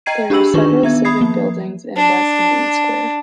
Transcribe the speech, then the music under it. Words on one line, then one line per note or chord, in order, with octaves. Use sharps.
There are several civic buildings in West Newton Square.
D#5 G5 A#5 G#6 C7 D#7
D4 G4 G#4 B5 E6 F#7
D#3 D4 D#4 F4 B4 C#6
B3 E5 G#6
B5 D#6 G#6 C7
F3 A#3
D4